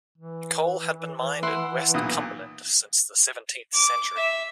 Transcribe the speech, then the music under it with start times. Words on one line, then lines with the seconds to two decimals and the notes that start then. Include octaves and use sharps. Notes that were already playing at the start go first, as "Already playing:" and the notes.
Coal had been mined in West Cumberland since the seventeenth century.
0.18 E3
1.43 E4 F#5 C6
1.94 B1 A#2 D#6
3.73 D6
4.17 E5